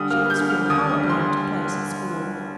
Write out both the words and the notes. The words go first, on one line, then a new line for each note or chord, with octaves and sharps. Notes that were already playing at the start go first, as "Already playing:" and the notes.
She must feel horribly out of place at school.
Already playing: D3 G3 D#6
A#3 F6
G6
D3
F6
D#2 D#6
D#6
G3
C6